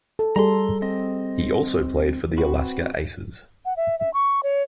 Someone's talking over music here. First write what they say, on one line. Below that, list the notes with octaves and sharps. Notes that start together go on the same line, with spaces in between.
He also played for the Alaska Aces.
A4
G3 G#4 A4 A#5 C6
C4 D#5
C4 F#4 B4
F#5
E5
E5
C#6
C#5